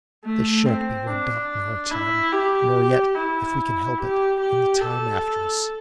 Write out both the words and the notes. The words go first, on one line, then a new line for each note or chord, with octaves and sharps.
They shan't be rubbed out in our time, nor yet, if we can help it, in the time after us.
A3
C4
D4
E4
G4
E4
G4
G4
A4